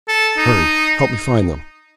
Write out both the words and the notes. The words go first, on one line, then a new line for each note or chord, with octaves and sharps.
"Hurry, help me find them."
A4
D#4